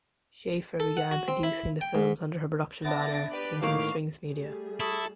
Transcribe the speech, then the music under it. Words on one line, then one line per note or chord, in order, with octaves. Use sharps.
Schafer began producing the films under her production banner Thinking Strings Media.
A4
F#5
F#4
C4
E4
G5
G#2
B3 D4 E5 A6 A#6 D7
G4 B4 D5
A2 D#3 A#3 F5 C#6 D6 F6
G3 A3 G#4
E4 A4 B5 C#6 D#6